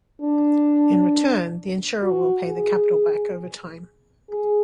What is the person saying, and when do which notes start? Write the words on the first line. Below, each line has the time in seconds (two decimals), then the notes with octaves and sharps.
In return, the insurer will pay the capital back over time.
0.21 D4
2.02 F#4
2.48 G#4
4.29 G#4